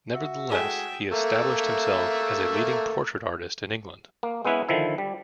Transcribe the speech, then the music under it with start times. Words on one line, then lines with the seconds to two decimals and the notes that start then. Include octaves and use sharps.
Nevertheless, he established himself as a leading portrait artist in England.
0.14 F#4 E5
0.52 G#3 A3 E4 G#4 E5 G5
1.12 A3 A#3 E5
4.23 A#3
4.45 G#3 B3 C#4 E4 B4
4.69 D3 D#3 F3 E4
4.98 G3